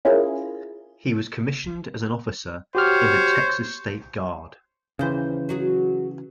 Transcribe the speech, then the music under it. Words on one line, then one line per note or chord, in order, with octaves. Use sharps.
He was commissioned as an officer in the Texas State Guard.
C#4 E4 F4 G#4 A#4
F#4 G4 C5 C#5 F6
D#2 C#3 E3 C5
F#3 F#4 G#4